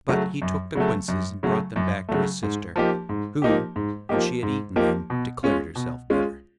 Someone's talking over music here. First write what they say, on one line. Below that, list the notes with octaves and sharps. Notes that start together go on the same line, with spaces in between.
But he took the quinces and brought them back to his sister, who, when she had eaten them, declared herself better.
C#3 F#3 A3
F#2
C#3 F#3 A3
F#2
C#3 F#3 A3
F#2
C#3 F#3 A3
G#2
F3 A#3 D#4 G4
G#2
F3 A#3 D#4 G4
G#2
F3 A#3 D#4 G4
G#2
F3 A#3 D#4 G4
B2
G#3 C#4 F4
B2
G#3 C#4 F4